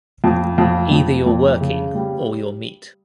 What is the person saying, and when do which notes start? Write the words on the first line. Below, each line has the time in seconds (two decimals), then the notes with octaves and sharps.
Either you're working or you're meat.
0.24 F2
0.58 F2
0.92 F2
1.26 F2
1.61 C#3
1.95 G3